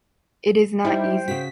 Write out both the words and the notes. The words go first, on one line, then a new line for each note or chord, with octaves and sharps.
It is not easy.
G3 D#4 E4 C5 G5
C#3 F#4 B6